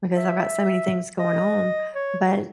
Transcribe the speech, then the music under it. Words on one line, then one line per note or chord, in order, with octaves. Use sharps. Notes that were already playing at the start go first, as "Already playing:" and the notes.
because I've got so many things going on, but
E5
D#5
C#5